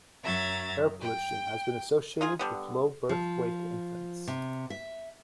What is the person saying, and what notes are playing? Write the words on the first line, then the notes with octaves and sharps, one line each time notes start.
Air pollution has been associated with low birth weight infants.
F#2 F#3 E5 A#5 G#6 A6
G5
D#4 F4 G#4
D3 G3 B3
F3
C3
E5